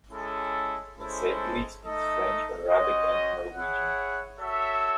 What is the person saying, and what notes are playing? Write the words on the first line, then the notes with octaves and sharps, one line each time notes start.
Essediri speaks French, Arabic and Norwegian.
G#3 C#4 E4 A4
G#3 C#4 E4 A4 C5
A3 D#4 A4 D#5
C#4 F#4 C5 D#5
E4 G#4 C#5 F#5
F#4 A4 C#5 E5